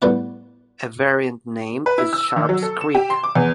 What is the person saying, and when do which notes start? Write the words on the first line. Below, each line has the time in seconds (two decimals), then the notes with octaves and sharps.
A variant name is "Sharps Creek".
0.02 A2 G3 A3 B3 D5 F#5
1.86 B4
1.98 E4
2.13 E6
2.36 D#3
2.49 F#3
2.63 A4
2.81 E7
2.95 G4
3.10 C6
3.24 D6
3.35 E2